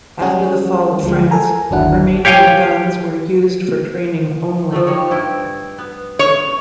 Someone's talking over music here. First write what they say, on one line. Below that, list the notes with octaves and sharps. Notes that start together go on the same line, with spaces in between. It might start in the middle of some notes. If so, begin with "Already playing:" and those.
After the Fall of France, remaining guns were used for training only.
F#3 G3 C#4 F#4 G#4
D2 F3 G#3
A4 A#4 G#5 A#5
G1 D#2 F#3 D4 E4 F#5
G4 C#5 F5 G5 G#5
F3 A3
G3 D#4 C#5
G2 E4 G5
B3
C#5